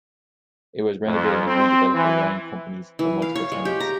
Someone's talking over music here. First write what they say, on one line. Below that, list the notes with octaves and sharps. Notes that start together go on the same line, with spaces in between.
It was renovated and redeveloped by Ryan Companies for multiple tenants.
F2
C4
E3
E3
F5
C#5
G#3
G4
A#5